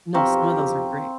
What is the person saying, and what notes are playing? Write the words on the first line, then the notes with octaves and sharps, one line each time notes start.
No, some of those are great.
B1 F2 C4 G4 F5 A#5 C#6